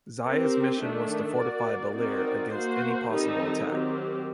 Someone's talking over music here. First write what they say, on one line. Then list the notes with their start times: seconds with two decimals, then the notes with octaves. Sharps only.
Zayas mission was to fortify Baler against any possible attack.
0.24 C4 G4 A#4
0.81 D#3 A3 D4
1.39 A#3 F#4 A#4 D5
1.96 C4 D#4 F#4 A#4 D5
2.53 A#3 F#4 C5
3.10 D#3 G3 C4 D#4 A4
3.68 D#3 F#3 C4 G4